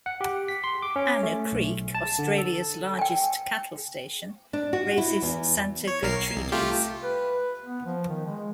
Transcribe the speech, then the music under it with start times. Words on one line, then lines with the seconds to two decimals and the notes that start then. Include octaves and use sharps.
Anna Creek, Australia's largest cattle station, raises Santa Gertrudis.
0.06 F#5
0.21 G4
0.48 B6
0.64 C6
0.82 D6
0.96 C#4
1.23 A3
1.52 B1
1.95 A5
2.19 D3
2.38 A4
2.99 G5 G#5
4.53 D4
4.73 F#4
4.98 E4
5.22 E2
5.87 C#5
6.03 B1 A#4 C7
6.20 C7
6.36 C2
6.52 A3 F4 G4
7.04 B4
7.65 B3
7.86 F3
8.09 D#3
8.26 G#3